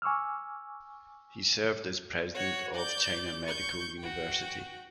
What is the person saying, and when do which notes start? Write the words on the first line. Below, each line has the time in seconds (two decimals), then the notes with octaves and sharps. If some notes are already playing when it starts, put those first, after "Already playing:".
He served as President of China Medical University.
0.02 G#5 C#6 D6 E6 F6
2.34 F#4 C#5
2.74 D5 G6
3.45 C#6 G6
3.99 F#4 G5